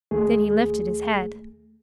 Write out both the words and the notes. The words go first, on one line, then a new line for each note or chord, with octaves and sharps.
Then he lifted his head.
D#2 A3 G#4